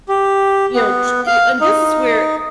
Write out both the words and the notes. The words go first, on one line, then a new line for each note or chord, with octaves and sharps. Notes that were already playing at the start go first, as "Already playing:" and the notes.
you know, t and this is where,
G4
B3
F5
D#4